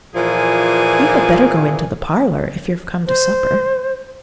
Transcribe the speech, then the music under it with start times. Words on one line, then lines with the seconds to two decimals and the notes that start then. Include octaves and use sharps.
"You had better go into the parlour, if you're come to supper."
0.16 A#2 E3 F3 G#4 G#5
3.07 C5